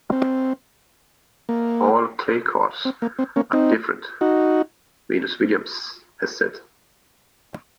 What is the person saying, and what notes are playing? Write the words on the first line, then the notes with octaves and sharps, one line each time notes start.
"All clay courts are different," Venus Williams has said.
C4
A#3
C4
A#3
C4
A#3 C#4
C4 D#4
D#4 F#4